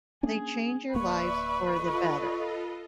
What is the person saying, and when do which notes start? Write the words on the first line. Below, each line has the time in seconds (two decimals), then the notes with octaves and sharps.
they change your lives for the better.
0.23 A#3 C#4 D4 G#4
0.95 D1 A#3 B4 D5 E5 C#6
1.72 F4 A4 D#5